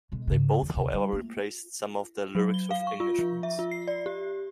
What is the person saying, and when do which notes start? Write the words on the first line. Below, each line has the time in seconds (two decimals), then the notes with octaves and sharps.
They both however replace some of the lyrics with English ones.
0.12 B1 G#3
0.27 G#2 C#3
0.62 E2
0.74 D2 C3
0.93 G3
1.13 A3 A#3
2.35 F#3
2.54 G7
2.71 F5
2.87 C#6
3.00 F4
3.19 F3
3.43 E5
3.59 F4
3.71 C7
3.87 D5
4.06 G4